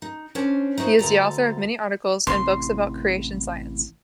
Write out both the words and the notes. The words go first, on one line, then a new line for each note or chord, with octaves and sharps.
He is the author of many articles and books about creation science.
D#4
C#4 D4 C5 C#5
D#4 E4 F#4 C5
D2 A#2 A4 A#5
A1 C3 E3 C6